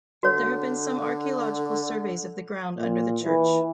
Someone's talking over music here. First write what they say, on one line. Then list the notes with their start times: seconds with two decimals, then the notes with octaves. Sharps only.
There have been some archaeological surveys of the ground under the church.
0.23 D3 F#4 C#5
2.78 A#2
3.23 E3